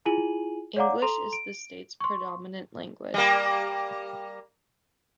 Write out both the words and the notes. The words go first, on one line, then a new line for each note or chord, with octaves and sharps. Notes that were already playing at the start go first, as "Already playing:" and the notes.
English is the state's predominant language.
E4 F4 G#4 G#5 D#7 F#7
C#5 D5 F5 F#5 A#5 D6
A4 A#5 C6 F7
D7
C6 C#6
G3 A#3